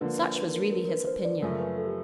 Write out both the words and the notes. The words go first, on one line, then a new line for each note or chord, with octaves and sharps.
Such was really his opinion.
D3 F3 A#3 B4
C5
B4
A#4
A#4
A#4
B4
C5
D5
F#2 C#3 F3 A3 C#4 A#4
B4
A4
G4